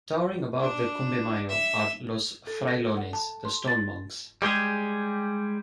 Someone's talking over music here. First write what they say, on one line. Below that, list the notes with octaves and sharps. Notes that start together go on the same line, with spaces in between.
Towering above the Cumbe Mayo, are Los Frailones, the Stone Monks.
D4
E5
A4
A#6
F#5
A5
C6
A6
G3 G#3 G4 G#4